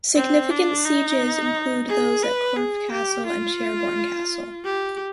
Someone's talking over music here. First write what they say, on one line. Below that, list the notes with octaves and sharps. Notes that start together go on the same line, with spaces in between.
Significant sieges include those at Corfe Castle and Sherborne Castle.
C4
D4
D#4
G#4
B4
G#4
G4
F4
G4